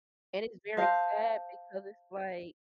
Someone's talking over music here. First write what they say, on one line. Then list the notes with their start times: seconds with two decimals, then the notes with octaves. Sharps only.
And it's very sad because it's, like
0.77 C5 D#5 F5 A5